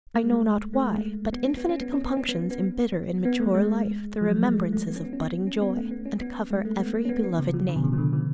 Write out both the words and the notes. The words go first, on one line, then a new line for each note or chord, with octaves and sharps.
I know not why, but infinite compunctions embitter in mature life the remembrances of budding joy and cover every beloved name.
A3
G#3
A3
A3
G#3
A3
B3
C#4
B3
C#4
B3
C#4
B3
C#4
B3
B3
B3
A3
G#3
F3
F#3
G#3
A3
A3
B3
C#4
B3
C#4
B3
C#4
B3
A3
B3
C#4
B3
G#3
A3
B3
A3
C#4
B3
B3
C#3
F3
D3
B2
C#3
F3
D3
F3